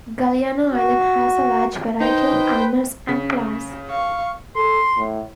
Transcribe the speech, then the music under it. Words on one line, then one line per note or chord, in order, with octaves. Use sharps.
Galiano Island has a large variety of animals and plants.
F#4
D#4 B4 C5 G5
C#3 B6
F5 C#6
A4 C6
A2